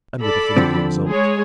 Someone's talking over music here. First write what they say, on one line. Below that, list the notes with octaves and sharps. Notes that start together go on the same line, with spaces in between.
And with the familiar result.
A4 D5 B5
D3 F3 C4
G#3 G#4 C#5